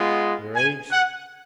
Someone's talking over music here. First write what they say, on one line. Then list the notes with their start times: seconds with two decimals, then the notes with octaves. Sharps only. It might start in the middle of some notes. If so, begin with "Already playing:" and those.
"Your age?"
Already playing: G#3 B3 F4
0.55 G#5
0.90 F#5